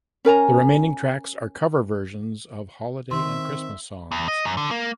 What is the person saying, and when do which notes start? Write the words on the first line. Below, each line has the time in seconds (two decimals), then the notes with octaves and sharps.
The remaining tracks are cover versions of holiday and Christmas songs.
0.25 C#4 A#4 G#5 A#5
3.11 D#3 C4 E5 C6
4.12 E2
4.28 D#5
4.45 F#2
4.57 D3
4.71 A#3